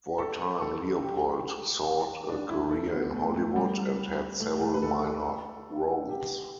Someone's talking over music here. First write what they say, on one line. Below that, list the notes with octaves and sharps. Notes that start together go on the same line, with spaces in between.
For a time Leopold sought a career in Hollywood and had several minor roles.
A4
A4
G4
D4
E4
A4
B3
A3
A3
G3
A3
A3
B4
A4
G4